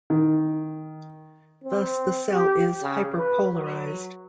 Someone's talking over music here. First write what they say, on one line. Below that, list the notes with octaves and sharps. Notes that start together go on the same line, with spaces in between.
Thus the cell is hyperpolarised.
D#3
C4
G4
C#3
B4
F#3